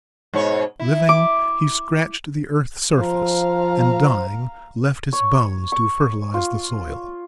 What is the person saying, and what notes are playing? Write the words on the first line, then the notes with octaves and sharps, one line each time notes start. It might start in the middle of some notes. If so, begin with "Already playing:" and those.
Living, he scratched the earth's surface, and dying, left his bones to fertilize the soil.
G#2 B2 C#5
E4
D6
F3 C5 F5 A#5
C#5
C#6
F4